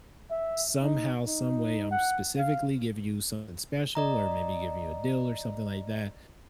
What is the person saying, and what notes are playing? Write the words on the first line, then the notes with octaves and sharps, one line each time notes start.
"Somehow, someway I'm specifically giving you something special, or maybe giving you a deal, or something like that,
E5
D#4
D#4
F#5
F5
D5 D#5 A#5